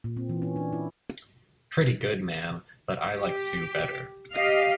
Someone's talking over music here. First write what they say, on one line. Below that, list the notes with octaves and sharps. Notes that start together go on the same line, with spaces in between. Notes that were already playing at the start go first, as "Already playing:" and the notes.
Pretty good, ma'am; but I like Sue better.
A#2
C4
E3
C#4
D4
E4
G4
G4 D#5 F5